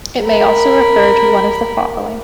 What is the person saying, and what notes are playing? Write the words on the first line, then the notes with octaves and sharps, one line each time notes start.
It may also refer to one of the following.
A#4 B5